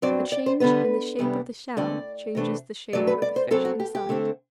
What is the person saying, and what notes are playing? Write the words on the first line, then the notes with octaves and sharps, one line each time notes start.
A change in the shape of the shell changes the shape of the fish inside.
G2 F#3 C4 D5
D5
C5
D3 G3 B3 B4
E2 C3 G3 B3 D4
E2 D3 A3 C4 D5
C3 E3 A3 D4
G2 F#3 A3 D5
B4
D5
C5
F#2 F#3 C4 A4
F#4
G4
G4
D3 A3 C4